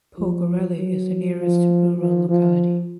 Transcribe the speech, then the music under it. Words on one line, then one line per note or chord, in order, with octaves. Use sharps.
Pogorely is the nearest rural locality.
F3
F#3
F3
F3
F3